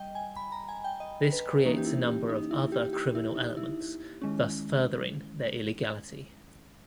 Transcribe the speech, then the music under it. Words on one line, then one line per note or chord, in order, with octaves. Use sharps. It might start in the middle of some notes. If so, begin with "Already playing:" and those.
This creates a number of other criminal elements, thus furthering their illegality.
Already playing: G3 D#5 G5
G#5
B5
A#5
G#5
G5
D#5
B4
E3 A#3 C#4 D#4
G4
E4
G4
D#4
E4
G4
G4
E4
D#4
E4
D#3 G#3 C#4